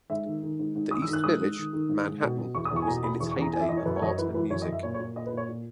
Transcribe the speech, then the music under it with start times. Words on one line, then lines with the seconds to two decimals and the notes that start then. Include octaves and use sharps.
The East Village, Manhattan was in its heyday of art and music.
0.10 G#2 E5
0.26 D#3
0.43 D#3
0.59 G#2
0.76 G#2
0.91 D#3 D#6
1.02 E6
1.08 D#3
1.13 F#6
1.24 G#2 D#6
1.41 G#2
1.56 D#3
1.73 D#3
1.89 G#2
2.06 G#2
2.22 B2
2.39 B2
2.55 E2 C#6
2.65 D#6
2.71 E2
2.76 C#6
2.82 G#5
2.87 B2 A#5
3.03 B2 B5
3.20 E2 C#6
3.31 C#6
3.36 E2
3.42 A#5
3.53 E3 G#5
3.61 E5
3.69 E3 D#5
3.77 C#5
3.85 F#2 B4
3.96 C#5
4.02 F#2 D#5
4.07 C#5
4.18 E3 B4
4.34 E3 B4
4.50 F#2 C#5
4.62 D#5
4.67 F#2
4.72 E5
4.83 A#2 C#5
4.94 C#5
5.00 A#2
5.16 A#2 D#5
5.26 B4
5.32 A#2
5.37 C#5
5.49 A#2